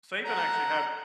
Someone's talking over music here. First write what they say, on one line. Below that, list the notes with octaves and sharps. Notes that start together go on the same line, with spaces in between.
Saban actually had
A4 F#5 A#5